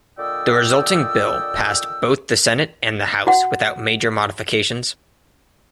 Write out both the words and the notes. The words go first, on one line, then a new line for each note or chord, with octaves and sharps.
The resulting bill passed both the Senate and the House without major modifications.
A#2 D3 D5 D#5 G5 E6
F#4 F#5